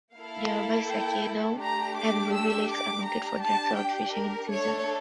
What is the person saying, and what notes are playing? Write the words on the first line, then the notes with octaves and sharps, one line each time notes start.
Nearby Sakinaw and Ruby Lakes are noted for their trout fishing in season.
A#3 E4 A4 F5
G5
A3 D4 G4 A#5
D6
E6
D6
D4 G4 A#5
A5
G5
A#4
A3 D4 A4 C#5